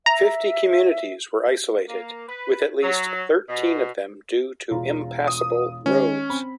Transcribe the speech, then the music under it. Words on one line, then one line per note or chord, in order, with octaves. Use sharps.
Fifty communities were isolated, with at least thirteen of them due to impassable roads.
E5 A#5
A#3
B4
F#3
B2
E1 F4 A#5
D#6
D#3 G#3 C#4
C4 B5